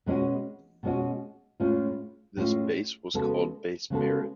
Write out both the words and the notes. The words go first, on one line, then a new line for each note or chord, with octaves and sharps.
This base was called Base Marret.
B2 G#3 C#4 F#4
B2 G#3 C#4 F#4
A2 G#3 C#4 F4
A2 G#3 C#4 F4
C#3 G#3 B3 F#4 A4
C#3 G#3 B3 F#4 A4